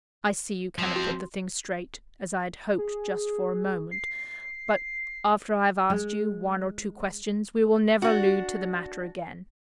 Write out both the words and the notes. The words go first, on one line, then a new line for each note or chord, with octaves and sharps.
I see you cannot put the thing straight, as I had hoped just for a moment: but, after I have asked you one or two questions, we will never allude to the matter again.
F3 C4
F#4
G#4
C7
G#3
D4 F#4